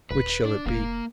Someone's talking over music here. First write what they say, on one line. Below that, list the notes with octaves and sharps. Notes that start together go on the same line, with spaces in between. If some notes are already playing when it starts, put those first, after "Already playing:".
Which shall it be?
D#1 B4
D4
F1 A#3